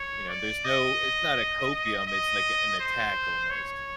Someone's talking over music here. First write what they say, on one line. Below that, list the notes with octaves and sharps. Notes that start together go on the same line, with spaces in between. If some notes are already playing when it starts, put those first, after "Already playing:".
You know, there's no it's not a copium, it's, like, a an attack almost.
Already playing: C#5
D5
D#5
D#5
C5
C#5